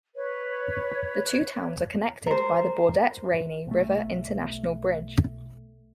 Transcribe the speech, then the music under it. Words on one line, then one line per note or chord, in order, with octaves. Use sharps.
The two towns are connected by the Baudette - Rainy River International Bridge.
B4 C#5
A#4 C5
B1 A3